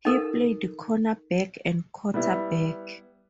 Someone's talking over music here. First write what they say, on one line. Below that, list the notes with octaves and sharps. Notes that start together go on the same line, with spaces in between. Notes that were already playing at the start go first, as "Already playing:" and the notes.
He played cornerback and quarterback.
D#4 A4 A#4
G3 B3 E4